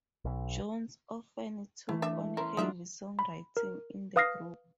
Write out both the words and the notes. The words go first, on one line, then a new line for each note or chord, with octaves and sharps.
Jones often took on heavy songwriting in the group.
B1
E3 A3 E4
D4 E5
A3 C#4 E4 A#4 C6
F#3 D4 D#4 F4 E5
B5
A#4
B4 F5 D#6 F6 A#6 C7